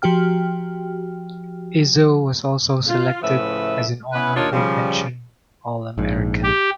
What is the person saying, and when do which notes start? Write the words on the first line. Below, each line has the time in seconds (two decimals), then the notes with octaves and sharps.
Izzo was also selected as an Honorable Mention All-American.
0.02 F3 F#4 G4 G5 F6
2.88 F4
3.21 A2 C#3 F3 B4 E5
4.13 B3 C#4 E4 B4
4.35 D#2 D4 D#4 F4 A#4 C#5
4.52 C#3 F3 G3
5.98 A#1 G#2
6.43 G4